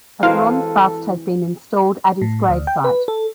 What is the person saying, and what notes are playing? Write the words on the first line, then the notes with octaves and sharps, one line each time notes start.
A bronze bust has been installed at his grave site.
E3 G#3 C4 E4 F#4 A4 F5
A2
D2
G5
B4
A4